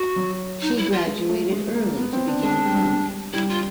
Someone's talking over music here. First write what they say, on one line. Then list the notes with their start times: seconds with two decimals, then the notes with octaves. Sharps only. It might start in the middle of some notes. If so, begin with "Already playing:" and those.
She graduated early to begin filming.
Already playing: F#4
0.16 F#3
0.61 D#4
0.77 E4
0.92 F4
1.07 G#3
1.29 A3
1.52 G#3
1.75 A#3
1.97 B3
2.13 C4
2.28 D4
2.42 G#3 D4
2.65 G3
3.33 G3 E4
3.49 F4